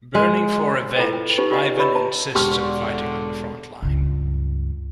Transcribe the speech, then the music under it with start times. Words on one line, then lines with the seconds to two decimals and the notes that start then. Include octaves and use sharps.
Burning for revenge, Ivan insists on fighting on the front line.
0.15 G#3
0.96 E4 F4 A4 B4 G5
1.13 G5
1.38 D#4 F4 G4 B4
1.51 F4 G4 D5 D#5 F#5
1.77 G4 B4 C#5 D#5 B5 E6
1.95 B4 A5 A#5
2.35 E1 D3 G4 A5 C6 C#6 F6
3.82 C#2 G2